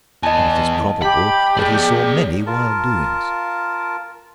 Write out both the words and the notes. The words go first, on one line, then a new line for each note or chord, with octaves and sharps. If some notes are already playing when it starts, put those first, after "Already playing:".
And it is probable that he saw many wild doings.
E2 D#5 G#5 A5
G4 B5
G#4 D5
F4 A#4 A5